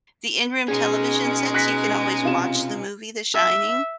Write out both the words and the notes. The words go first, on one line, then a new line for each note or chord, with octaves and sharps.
the in-room television sets, you can always watch the movie, The Shining,
B2 G#3 C#4 D#4 G#4
F#6 A#6 B6
C3 F4 E7
E5